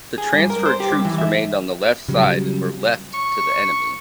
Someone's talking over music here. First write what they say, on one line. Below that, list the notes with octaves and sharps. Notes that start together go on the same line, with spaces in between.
The transferred troops remained on the left side and were left to the enemy.
G#4
G2
A#4
C5
G4
G2
E3
E5
C#3 F#3 G3
C#6